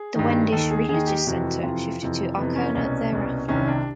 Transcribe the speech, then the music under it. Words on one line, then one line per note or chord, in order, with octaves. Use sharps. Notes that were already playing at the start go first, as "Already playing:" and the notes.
The Wendish religious centre shifted to Arkona thereafter.
Already playing: G#4
G2 D#3
D#2 D#3 A4
G#4
D#2 D#3 G#4
G4
F2 C3 E3 F#4
F#4
F2 C3 E3 F4
F2 C3 E3
F2 C3 E3 B3
C#4
C2 B2 C#4
C2 B2
C2 C3 D#3 C#4
D4